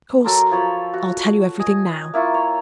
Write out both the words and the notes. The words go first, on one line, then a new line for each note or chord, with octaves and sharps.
Of course I'll tell you everything now.
F#3 A4 A#4 C6
F3 C#5 B5
F#4
D#5 G#5
A#3 E4 F4 C#6
C#5